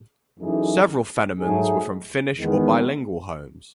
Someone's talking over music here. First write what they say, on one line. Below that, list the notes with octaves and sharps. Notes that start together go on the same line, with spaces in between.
Several Fennomans were from Finnish or bilingual homes.
F#2 E3 A3 D#4 G#4
G#2 F#3 A3 D#4 G#4
E2 D#3 G#3 B3